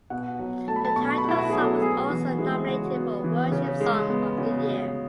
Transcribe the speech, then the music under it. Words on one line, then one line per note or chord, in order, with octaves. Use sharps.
The title song was also nominated for Worship Song of the Year.
B2 F#5
F#3
A3 A5
B5
A5
B2 C#6
B5
B2 E4
F#4
F#3 G#4
A4
B3 G#4
E3 F#4
G#3 E4
C#3 F#4
B3
E3
C#3
G#3
B3
C#3 F#4
C#3